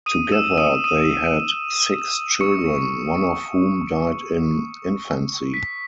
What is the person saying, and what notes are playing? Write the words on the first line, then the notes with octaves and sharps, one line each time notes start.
Together they had six children, one of whom died in infancy.
D#6 D#7
E6 E7
D#6 D#7
D#6 D#7
C#6 C#7
B6